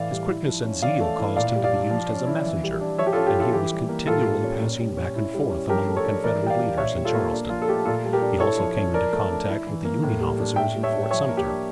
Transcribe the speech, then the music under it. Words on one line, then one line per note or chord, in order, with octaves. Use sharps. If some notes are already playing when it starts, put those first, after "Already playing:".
His quickness and zeal caused him to be used as a messenger, and he was continually passing back and forth among the Confederate leaders in Charleston. He also came into contact with the Union officers in Fort Sumter.
Already playing: A2 E3 D5 F5
G3
E4
F3
C#4
E3 D5 F5
A3
E4
A#2 D5 F5
G3
D5 F5
D4
F3
C#4
E4
E3
G3
D4
F3 C#5 E5
G4
F4 A4
C#4
G4
E4 F4 A4
E3 G4
G3
A#3
A2 F4 A4
G3
C#4
A#2
G3
C#4
E4
G3
C#4
F3 G4 A#4
A3
A4 C#5
D4
E3 A#4 D5
G3 G5
D5 F5
D4
A#2 C#5 E5
G3
F4 A4
A#3
D4
F3 F4
A4
A3 G4
A#2 F4 A4
G3
G4 A#4
D4
E4 A4 C#5
F3
C#4
F3 A#4 D5
A3
D4
E4
E3
A#3
A2
G3
D4
A2 E5 G5
G3
C#5 E5
D4
F3 C#5 E5
A#3
G4
D4